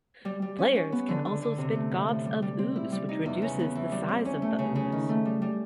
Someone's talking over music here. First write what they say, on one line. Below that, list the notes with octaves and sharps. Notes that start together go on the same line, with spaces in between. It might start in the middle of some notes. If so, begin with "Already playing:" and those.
Players can also spit gobs of ooze, which reduces the size of the ooze.
G3
G3
C#4
C#4
B3
D3
D3
D3
C3
A3
A2
A2
G3
G3
C4
E4
G3
D#4
E2
C#3
B3
E3
G3
C4
C#4
A3
C#3
C#3
D#3
A3
G3
G3